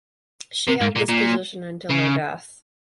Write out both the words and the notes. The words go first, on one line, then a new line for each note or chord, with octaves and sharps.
She held this position until her death.
C3
G#2
A#2
A#2
C#3